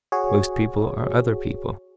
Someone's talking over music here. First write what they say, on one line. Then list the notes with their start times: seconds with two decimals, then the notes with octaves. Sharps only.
Most people are other people.
0.12 F#4 G#4 C#5